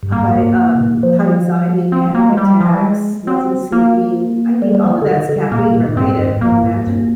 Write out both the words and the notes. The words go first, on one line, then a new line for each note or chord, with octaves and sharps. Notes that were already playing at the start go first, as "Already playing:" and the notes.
uh, high, um high anxiety, panic attacks, wasn't sleeping, I mean, all of that is caffeine related, can you imagine?
G2
G#2 A#3
G#2
C3
A#2
F3
C4
A#3
G#3
G3
F3
G3
G#3
C4
A#3
G3
G3
F3
D3
D#3
D3
A#2 A#3
A#2
A#2
G#2 C4
G2
G#2
G2 A#3
G#2
G2